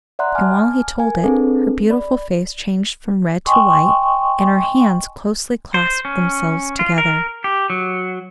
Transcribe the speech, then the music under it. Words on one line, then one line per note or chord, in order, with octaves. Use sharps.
And while he told it, her beautiful face changed from red to white, and her hands closely clasped themselves together.
D5 E5 F#5 A#5 C6 F#6
G#5 A5 D6 F6
A#4 G#5
C4 D4 G#4 A4 B4
D5 B5
D#5 G5 G#5 C6 C#6 D#6
C5
C#4
F4
A#4
G4
F#3